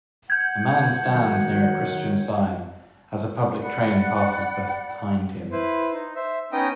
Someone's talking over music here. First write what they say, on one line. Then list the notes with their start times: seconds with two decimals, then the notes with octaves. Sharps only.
A man stands near a Christian sign, as a public train passes behind him.
0.30 F#5 G6 G#6
1.05 D#3 F#3
3.62 D5 F#5 B5
5.52 E4 B4 C5
5.92 D#4
6.16 C5 E5
6.52 B3 C#4 D#4 D#5 G5